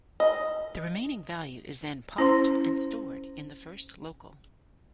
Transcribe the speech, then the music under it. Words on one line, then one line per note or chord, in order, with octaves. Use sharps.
The remaining value is then popped and stored in the first local.
D#5
C#4 E4 C5 C6